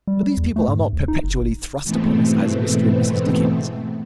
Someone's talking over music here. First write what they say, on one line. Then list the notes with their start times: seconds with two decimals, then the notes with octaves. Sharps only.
But these people are not perpetually thrust upon us as Mr. and Mrs. Dickens.
0.08 G3
0.23 G3
0.37 E2
0.56 A3
0.68 G#2
0.80 G#2
0.93 D2
1.08 D#4
1.24 F#1
1.41 G1
1.84 G#2 B2 E3 A3 B3 C4